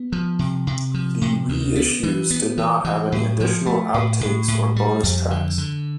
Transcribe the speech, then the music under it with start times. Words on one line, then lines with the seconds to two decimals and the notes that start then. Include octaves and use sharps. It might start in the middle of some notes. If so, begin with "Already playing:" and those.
The reissues did not have any additional outtakes or bonus tracks.
Already playing: B3
0.12 F3
0.39 C3
0.67 C3
0.94 F3
1.21 C3
1.49 D2
1.76 B3
2.03 E3
2.31 B3
2.58 E3
2.85 E3
3.12 A2
3.40 F3
3.66 A3
3.94 A2
4.21 A2
4.48 A2
4.76 G3
5.03 F2
5.31 D3
5.58 D3